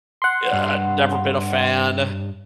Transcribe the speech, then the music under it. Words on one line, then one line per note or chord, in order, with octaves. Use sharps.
Ugh, I've never been a fan,
F#5 C6
G2